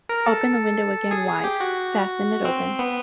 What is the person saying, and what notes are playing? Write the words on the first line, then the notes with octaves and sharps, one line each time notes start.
Open the window again wide: fasten it open!
A#4
A4
G#4
G#4
G4
F#4
C4
B3